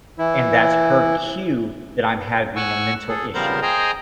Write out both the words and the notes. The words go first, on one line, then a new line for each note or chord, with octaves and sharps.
And that's her cue that I'm having a mental issue,
E3 E4
F#5 G#5 C#6 E6
G#4 A4
C#3 F3 G3 B3 A#4 C5
G#4 C5 D#5 G5 G#5 A#5